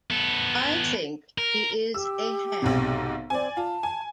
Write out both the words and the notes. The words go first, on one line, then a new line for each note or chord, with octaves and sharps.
I think he is a ham.
B3 A4
A#4
G4 E6
B1 G#2 C3
C4 D5 G#5
F4 A5
G#5